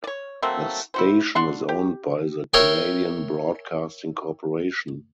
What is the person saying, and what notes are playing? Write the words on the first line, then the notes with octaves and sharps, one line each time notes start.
The station is owned by the Canadian Broadcasting Corporation.
C#5 D5
F#3 A3 A#3 C4
E4 F#4 C5
D4 F#5 C6 C#6
G4
A#4 C#5 E5 G5 C6